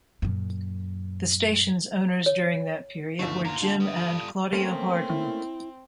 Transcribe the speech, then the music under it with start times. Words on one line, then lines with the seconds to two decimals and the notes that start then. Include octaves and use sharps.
The station's owners during that period were Jim and Claudia Harden.
0.22 F#2 A#2
2.26 C#5
3.19 G1 D#2 D3 A3
3.45 A#3 F4 A#5
3.62 D3 A5
3.80 G4 B4 D#6
3.96 G3 F4 A4
4.53 A3 A#3 C4 C#4
5.10 E4